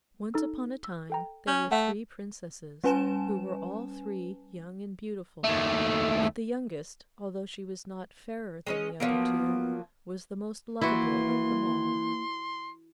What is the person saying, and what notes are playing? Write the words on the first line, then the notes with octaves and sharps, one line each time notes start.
Once upon a time there were three Princesses who were all three young and beautiful; but the youngest, although she was not fairer than the other two, was the most loveable of them all.
D#4 A4 E6
E6
A4 G5 A#5
C#4 G6
A3 E5 F#5
G3 C#4 B4 G#5 A5 E7
D#2 A3
G#3 C#4 D#5
F3 F#3 A#3 B3
E3 A#3 E4 F#4 C6